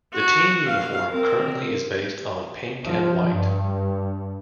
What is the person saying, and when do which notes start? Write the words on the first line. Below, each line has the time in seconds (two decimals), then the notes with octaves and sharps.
The team uniform currently is based on pink and white.
0.14 F#4
0.66 F5
1.10 C4 A#4
2.84 F3
3.28 G2